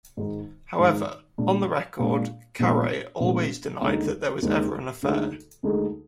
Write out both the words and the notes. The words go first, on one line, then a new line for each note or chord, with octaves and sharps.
However, on the record, Caray always denied that there was ever an affair.
G#2 D#3 G#3 D#4
G#2 D#3 G#3 D#4
A#2 G#3 D4
A#2 G#3 D4
A#1 A#2 F3 G#3 B3
A#1 A#2 F3 G#3 B3
D#2 D3 G#3 D#4
D#2 D3 G#3 D#4
D2 D3 G#3 D#4 G#4
D2 D3 G#3 D#4 G#4